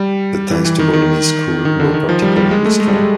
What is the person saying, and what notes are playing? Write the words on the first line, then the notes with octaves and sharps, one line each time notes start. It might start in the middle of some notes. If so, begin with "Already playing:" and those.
The ties to Bolognese School were particularly strong.
Already playing: G3
E3
E3
D#3
D#3
D#3
D3
D#3
F3
G3
G3
G#3
A3
G#3
G3
G#3